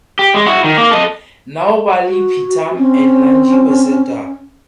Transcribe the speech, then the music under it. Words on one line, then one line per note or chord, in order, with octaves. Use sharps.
Now bali peetam and nandhi were set up.
G4
G#3
E4 F#4
D#3
A#3
A4 D#5
F#4
C4 C#4